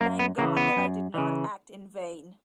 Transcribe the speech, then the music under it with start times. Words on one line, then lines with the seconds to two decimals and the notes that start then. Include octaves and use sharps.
Thank God that I did not act in vain!
0.01 F#2 A#3
0.19 B3
0.38 C#3 A#3
0.41 E3
0.57 B3
0.76 F#2
1.14 C#3 E3